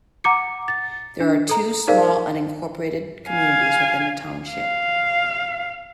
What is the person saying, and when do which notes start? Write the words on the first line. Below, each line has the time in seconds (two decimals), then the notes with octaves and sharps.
There are two small unincorporated communities within the township.
0.24 F#5 A#5 D6 C#7
0.68 A6
1.21 D4
1.49 A4 A#5
1.88 D#4 G#4 A#4 C5 D5 F5
3.29 F5 G#5
4.50 F5